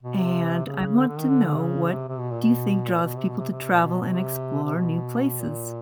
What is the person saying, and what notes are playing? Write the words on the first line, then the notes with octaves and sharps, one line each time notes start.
and I want to know what do you think draws people to travel and explore new places?
B2
C3
C#3
D3
D3
D#3
D3
C3
C#3
C3
C3
B2
A#2
B2
A#2
B2
C3
B2
C3
C3
A#2
B2
B2
C3
C3
B2
A#2